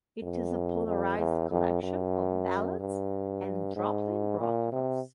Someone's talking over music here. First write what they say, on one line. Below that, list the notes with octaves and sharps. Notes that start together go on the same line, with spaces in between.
It is a polarized collection of ballads and throbbing rockers.
F2
F2
E2
F2
F#2
G2
G#2
A#2
C3